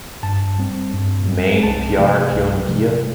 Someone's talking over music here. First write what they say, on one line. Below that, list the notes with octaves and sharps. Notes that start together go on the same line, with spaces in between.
Maine Pyaar Kyun Kiya?
G2 A5
G3 C4
G2
G3 C4
C2 A5
C3 F3 A3
C2
C3 F3 A3